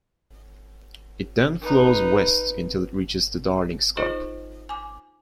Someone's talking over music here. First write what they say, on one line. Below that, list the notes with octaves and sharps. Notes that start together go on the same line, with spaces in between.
It then flows west until it reaches the Darling Scarp.
D#4 B4
D#4 F4 G#4 C5 D#5
G#5 D6